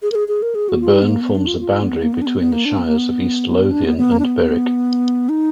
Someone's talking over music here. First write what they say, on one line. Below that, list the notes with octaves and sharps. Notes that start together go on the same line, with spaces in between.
The burn forms the boundary between the shires of East Lothian and Berwick.
G#4
A#4
G#4
G#4
A#4
G#4
F#4
F4
D#4
B3
A#3
B3
D4
F4
F4
A#3
B3
A#3
B3
D4
B3
B3
A#3
D4
B3
A#3
B3
D4
B3
B3
A#3
D4
B3
D#4